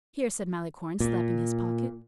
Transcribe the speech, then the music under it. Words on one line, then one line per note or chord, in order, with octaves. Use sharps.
"Here," said Malicorne, slapping his pocket.
A#2